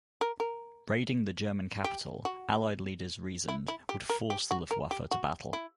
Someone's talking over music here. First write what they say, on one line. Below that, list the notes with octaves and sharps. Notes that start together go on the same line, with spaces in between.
Raiding the German capital, Allied leaders reasoned, would force the Luftwaffe to battle.
A#4
A#4
G4
F#4
E4
E4
G4
A#4
G4
F#4
A#4
G4
F#4
E4